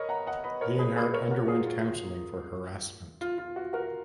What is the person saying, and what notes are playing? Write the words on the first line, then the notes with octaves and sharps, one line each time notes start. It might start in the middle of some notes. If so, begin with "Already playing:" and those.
Leonhardt underwent counseling for harassment.
Already playing: A#4 B4 C#5 D#5
F#5 A#5
D#5 F#5
B4 D#5
A#4 C#5
G#4 B4
G#4 B4
A#4 C#5
F#4 A#4
F4 G#4
F4
F4
F4
F#4
F#4 A#4